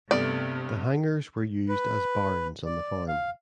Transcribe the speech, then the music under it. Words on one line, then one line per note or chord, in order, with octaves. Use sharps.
The hangars were used as barns on the farm.
G2 C3 A3 B3 D5
B4
D5
F5